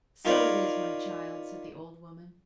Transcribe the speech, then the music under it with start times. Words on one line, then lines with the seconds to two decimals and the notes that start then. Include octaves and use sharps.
"So it is, my child," said the old woman.
0.25 D#4 F4 A#4 C#5 D5 B5